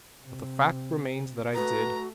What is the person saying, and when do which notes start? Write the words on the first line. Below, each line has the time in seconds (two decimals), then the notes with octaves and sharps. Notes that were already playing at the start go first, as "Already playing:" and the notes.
But the fact remains that I did.
0.24 C3
1.54 A3 F#4 B4 A#5